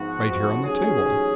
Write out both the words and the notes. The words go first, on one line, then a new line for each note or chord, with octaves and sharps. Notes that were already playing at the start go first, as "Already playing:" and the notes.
Right here on the table.
Already playing: G#2 F3 B3 F#4
A1 G#2 F#3 C#4 G#4